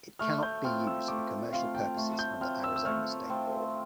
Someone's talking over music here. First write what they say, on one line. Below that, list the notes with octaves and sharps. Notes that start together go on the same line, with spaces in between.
It cannot be used for commercial purposes under Arizona state law.
A3 F6
G6
C4 F4 F6
E6
A3 D6
C4 F4 F5
G5
A3
G6
C4 F4 F6
E6
E6
A3 F6
C4 F4